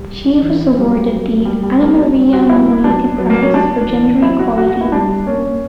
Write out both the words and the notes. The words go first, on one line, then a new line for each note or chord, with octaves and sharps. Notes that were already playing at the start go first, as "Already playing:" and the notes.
She was awarded the "Anna Maria Mammoliti Prize" for gender equality.
Already playing: G3
E3
F#3 G3
G3
G3
A#3
F#3
G3
F#4
E4
F#3 D4
F#3 B3
A#3
C#4
D4
E3
F#3 E4
F#4
F#4
F#4
E4
G3 D4
A#3 C#4